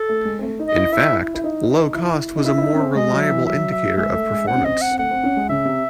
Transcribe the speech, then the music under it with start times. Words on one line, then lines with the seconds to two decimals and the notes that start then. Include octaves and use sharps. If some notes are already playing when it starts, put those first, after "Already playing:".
In fact, low cost was a more reliable indicator of performance.
Already playing: A4
0.09 A3
0.25 G#3
0.39 C4
0.43 A3
0.59 D#4
0.68 D#5
0.76 E4
0.92 E4 E5
1.13 E4
1.35 E4
1.44 D#4
1.94 E4
2.36 D#4
2.44 E4 E5
2.58 E4
2.61 D#4
2.73 C#4
2.79 C4
2.95 G#3 D#5
3.12 F#3
3.20 E5
3.29 E3
3.46 F#3 E5
3.72 E5
3.97 G#3 E5
4.13 A3
4.30 G#3
4.47 C4 F#5
4.55 C#4
4.63 C4 D#5
4.81 F#5
4.91 C4
4.99 A3 F#5
5.11 C4
5.23 C#4
5.36 G#3
5.49 C#3 E5
5.65 C3